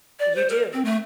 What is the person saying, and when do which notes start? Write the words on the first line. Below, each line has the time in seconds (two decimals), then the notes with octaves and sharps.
You do.
0.20 D5
0.35 C5
0.50 A#4
0.73 C4
0.85 A3